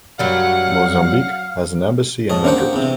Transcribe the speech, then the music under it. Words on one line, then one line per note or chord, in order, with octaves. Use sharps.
Mozambique has an embassy in Madrid.
F#2 F#3 G3 F5 F#5
G#2 C#5 D#5 A5
A#3 C#4 D4 C5 F#5 G5
E2 C3